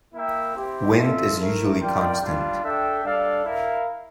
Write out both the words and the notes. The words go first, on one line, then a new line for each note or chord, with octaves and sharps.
Wind is usually constant.
A#3 E4 A#4 E5 G5
C4 E4 G4 C5
F4 A4 E5
A3 E4 A#4
F4 A#4 D5 G5
G3 D4 F4
D4 A4 E5 G5
G3 D4 A4 D5 F5
E4 A#4 F5